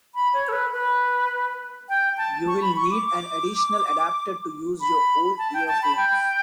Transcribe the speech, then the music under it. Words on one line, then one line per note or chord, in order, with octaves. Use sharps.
You will need an additional adapter to use your old earphones.
B5
C#5
A4
B4
B4
G5
A5
C#6
B5
C#6
D6
D6
B5
A5
G5
A5
B5
G5